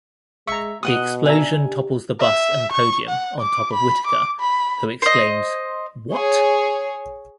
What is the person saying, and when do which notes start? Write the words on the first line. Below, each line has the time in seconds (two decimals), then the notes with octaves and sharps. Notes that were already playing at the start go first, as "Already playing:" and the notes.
The explosion topples the bust and podium on top of Whitaker, who exclaims what?...
0.47 G#3 E5 A#5 C#6
0.83 B2 D#5 F#5 D#6
1.26 D4 E5 G#5 A#5
1.64 G4
2.20 E5
2.72 C#6
3.09 F#5
3.40 D6
3.73 B5
4.07 D6
4.40 B5
5.02 C5 D#5
6.12 G#4 C#5